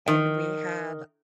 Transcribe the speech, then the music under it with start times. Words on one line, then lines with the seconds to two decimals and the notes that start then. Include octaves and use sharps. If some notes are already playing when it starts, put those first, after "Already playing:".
and we have
0.08 D#3